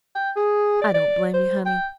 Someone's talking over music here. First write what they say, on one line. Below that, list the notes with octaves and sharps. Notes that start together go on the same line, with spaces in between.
I don't blame you, honey.
G5
G#4
D5
D5
C5
G5